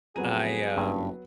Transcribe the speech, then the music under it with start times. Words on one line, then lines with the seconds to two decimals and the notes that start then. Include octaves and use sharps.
I, um,
0.16 F2 F#3 B3 G#4 A#5 D#7
0.77 F#1 G2